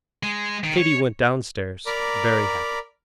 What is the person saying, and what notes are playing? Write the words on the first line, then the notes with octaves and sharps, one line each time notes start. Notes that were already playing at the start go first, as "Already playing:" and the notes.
Katy went down stairs very happy.
G#3
D#3
C#5
A#4 D5 A#5 B5 D6